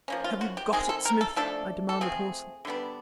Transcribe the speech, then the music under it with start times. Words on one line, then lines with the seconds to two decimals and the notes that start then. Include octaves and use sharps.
"Have you got it, Smith?" I demanded hoarsely.
0.08 F3 A#3 C#4
0.24 F4
0.41 F#4
0.57 G4
0.72 D#3 G#3 C4 G#4
0.89 A4
1.05 A#4
1.21 A4
1.36 F3 A3 D4 A4
1.89 A4
2.01 F3 A3 C4 G#4
2.65 D3 G3 B3 D4